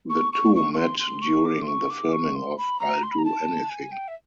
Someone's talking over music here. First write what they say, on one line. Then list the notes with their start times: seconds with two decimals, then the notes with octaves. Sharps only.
The two met during the filming of "I'll Do Anything".
0.09 C#6
0.33 C#6
0.55 C#6
0.73 C#6
0.77 C6
0.99 C6
1.22 C#6
1.45 D6
1.62 C6
1.67 C#6
1.90 D6
2.12 C#6
2.35 C6
2.58 B5
2.80 A#5
3.03 C6
3.11 B5
3.18 A#5
3.25 A5
3.69 G#5
3.91 G5
4.08 E5